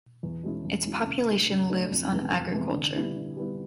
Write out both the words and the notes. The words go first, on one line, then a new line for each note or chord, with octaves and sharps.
Its population lives on agriculture.
E2
B2 G#3 C#4 E4
E2
B2 G#3 C#4 E4
C#3
F#3 A3 D4
C#3
F#3 A3 D4
F2
C3 E3 G#3 B3
F2
C3 E3 G#3 B3
D3
G3 B3 E4
D3
G3 B3 E4